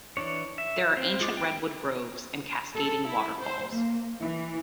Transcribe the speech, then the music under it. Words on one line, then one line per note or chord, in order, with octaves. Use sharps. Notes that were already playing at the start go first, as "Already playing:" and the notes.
There are ancient redwood groves and cascading waterfalls.
E3 D4 C#5
E5
C4 C5 F5
G#3 F4 D6
G5
A4
E4
C5
A#3
E3